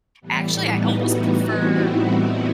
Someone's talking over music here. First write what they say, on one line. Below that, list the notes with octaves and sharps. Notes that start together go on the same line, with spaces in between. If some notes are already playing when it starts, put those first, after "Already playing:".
actually, I almost prefer,
A2 E3 G3 B3
B3 D#4
D#4 F#4
C4 E4
C4 E4